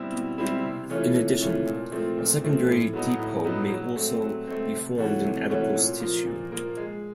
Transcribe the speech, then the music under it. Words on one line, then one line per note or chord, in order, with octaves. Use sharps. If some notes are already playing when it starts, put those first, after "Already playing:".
In addition, a secondary depot may also be formed in adipose tissue.
Already playing: B2 G3 C4 E4
B2
G3 C4 E4
C3
E3 A3 C#4 F4
C3
E3 A3 C#4 F4
A#2
F3 A3 C4
A#2
F3 A3 C4
A2
F#3 B3 D#4
A2
F#3 B3 D#4
F#3
A3 C4
F#3
A3 C4
C3
E3 A3 C#4 F#4
C3
E3 A3 C#4 F#4
A#2
F3 A#3
A#2
F3 A#3
G#3